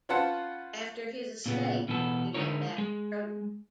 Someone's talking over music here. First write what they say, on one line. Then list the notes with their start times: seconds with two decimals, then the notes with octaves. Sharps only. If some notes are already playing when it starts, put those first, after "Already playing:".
After his escape he went back to Croton.
0.09 C#4 F4 B4 C5 F#5 A5
1.46 A#2 C#3 B3
1.88 B2 E3 B3 A4
2.34 D3 G#3 D#4 E4 A#4 C#5
2.78 G#3